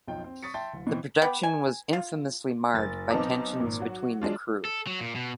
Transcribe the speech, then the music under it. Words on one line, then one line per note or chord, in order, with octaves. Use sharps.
The production was infamously marred by tensions between the crew.
B1 F2 D#4 F4 G5
C4
C#6 D#6 A6 B6 C#7
E5 G5 A5 C6 A6
D1
B2 E3 C4
B3 G4
G#5
F4
F#1 A6
B1 B3 C4 D#4 A5 D6
G#1 A#2
F#3 F#4
F#3 G#3 D4 F4
A4
F#3
A#2
B2